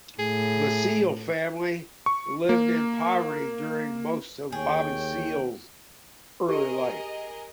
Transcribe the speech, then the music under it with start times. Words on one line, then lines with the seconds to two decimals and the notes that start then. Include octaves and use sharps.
The Seale family lived in poverty during most of Bobby Seale's early life.
0.19 A2 G#4
2.06 C#6
2.49 A#3
4.52 D#2 G#4 C#5 G5
6.48 G4 G#4 A#4 D#5